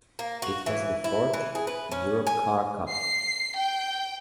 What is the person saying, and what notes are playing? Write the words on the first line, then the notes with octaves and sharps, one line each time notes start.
It was the fourth Europcar Cup.
A#3
F#4
E3
E4
E3
G#4
B4
C#4
G#5
C7
G5